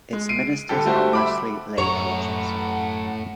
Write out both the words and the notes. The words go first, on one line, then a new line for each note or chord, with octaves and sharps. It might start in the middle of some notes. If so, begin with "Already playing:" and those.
Its ministers are mostly lay preachers.
G#3
C7 D7 D#7
D3 G3 G4 A4
G3 A3 F#4 C5
E5 B5 D6
F#2 A2 C#5 F#5 A#5